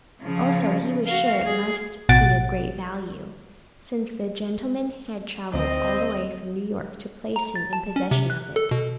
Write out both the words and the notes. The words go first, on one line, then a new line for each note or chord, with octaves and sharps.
Also he was sure it must be of great value, since the gentleman had travelled all the way from New York to place him in possession of it.
C#3 F3
F#4 F5
G#4
A1 B2 F#5 A6 D7
D2 C4 D#5
A#5
A6
A5
C#4
C3
F#6
A4
B2